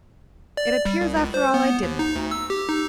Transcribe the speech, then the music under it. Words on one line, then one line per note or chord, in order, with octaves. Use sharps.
It appears after all I didn't.
D5
G3
C2
C#2
C5
B3
D#2
D#4
D2
E6
G4
D#4